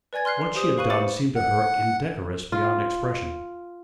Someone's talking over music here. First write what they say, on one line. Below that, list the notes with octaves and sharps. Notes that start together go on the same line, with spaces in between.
What she had done seemed to her indecorous beyond expression.
B4 D5 G#5 G#6 A6
C6 F6 F#6 C7
C6
G4 C5 D#6
B4 F5 B5 C#6 F#6 D#7
C5 B5 D6 A6 C#7 F#7
F#5
F4